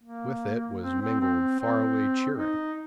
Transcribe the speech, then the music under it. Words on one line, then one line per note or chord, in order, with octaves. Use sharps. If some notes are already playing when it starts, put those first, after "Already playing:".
With it was mingled far-away cheering.
A#3
C4
C4
C4
C4
D#4